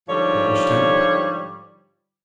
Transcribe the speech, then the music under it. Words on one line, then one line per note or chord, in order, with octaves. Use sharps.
Lunch Temp.
G#2 D3 F3 G3 C#5